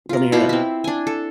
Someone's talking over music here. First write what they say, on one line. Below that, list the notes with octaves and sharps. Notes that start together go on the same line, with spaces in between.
Let me hear it.
F4 A#4
B2 E4 F4 D6
C4 E4
D4 G#5
A4